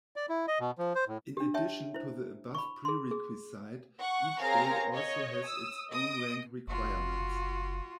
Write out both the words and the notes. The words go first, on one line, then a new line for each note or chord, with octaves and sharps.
In addition to the above prerequisite, each belt also has its own rank requirements.
D5
E4
D#5
B2
F3
C5
A2
D4 G4
C#5 E5 G5 A5
E4 C5
B5 C#6
G#4 C6
G#4
F#5 C#6
C4 G#4 A#4 C#5 F5 A#5
C#5 D#5
D#6 E6
D#5 D#6 D7
F#1 F4 F#4